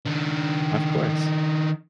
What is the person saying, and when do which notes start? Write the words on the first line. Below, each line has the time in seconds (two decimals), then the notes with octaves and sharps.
Of course.
0.06 D#3 D4